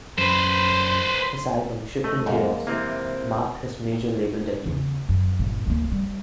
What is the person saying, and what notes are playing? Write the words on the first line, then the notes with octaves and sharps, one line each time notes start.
His album "Shifting Gears" marked his major-label debut.
F#2 B4 C5 C6
A3 D#5
F#2 G#3 A#3
C3 E3 A#3 C4
E2 C#3
F#2
G1 A#2
D2 A#3
G3